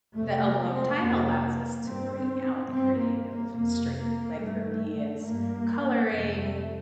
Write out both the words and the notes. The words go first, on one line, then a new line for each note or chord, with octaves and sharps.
that alone time allows us to bring out the creative streak. Like, for me, it's coloring,
F2 C3 A3
A#3
C4
F2 C3 A#3
G2 C4
G2 C4
A#3
A#3
F2 C3 A#3
A#3
G2 A3
G2 A#3
F2 C3 A3